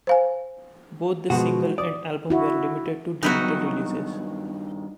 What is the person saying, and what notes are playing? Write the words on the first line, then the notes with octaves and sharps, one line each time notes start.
Both the single and album were limited to digital releases.
C5 F5 G#5
B2 F3 G#3 F#4
D5 D#6
E4 F#4
G2 D#3 F#3 B3 D#4 E4 F#4